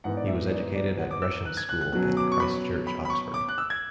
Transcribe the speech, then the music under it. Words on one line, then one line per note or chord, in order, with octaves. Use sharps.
He was educated at Gresham's School and Christ Church, Oxford.
G#2 E3 B3 F#5
D5
E5
D5
D5
F#5
D6
E6
F#6
G#6
F#6
F#6
B2 F#3 C#4 F#6
D6
C#6
B5
B5
B5
C#6
D6
F#6
E6
G#6